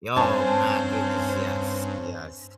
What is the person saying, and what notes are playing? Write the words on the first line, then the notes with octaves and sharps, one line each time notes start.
Oh my goodness, yes, yes.
G2 C4 C#4 C5 G#5 A5